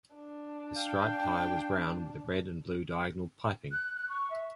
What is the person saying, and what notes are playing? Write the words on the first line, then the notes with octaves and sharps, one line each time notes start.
The striped tie was brown with red and blue diagonal piping.
D4
F5 G5
F#6
F#6
C#6
E5